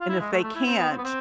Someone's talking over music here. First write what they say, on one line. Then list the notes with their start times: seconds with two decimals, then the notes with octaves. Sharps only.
And if they can't
0.01 F4
0.09 E4
0.20 G#3
0.32 A3
0.43 A3
0.55 E4
0.67 C4
0.78 B3
0.90 C4
0.98 B3
1.04 C4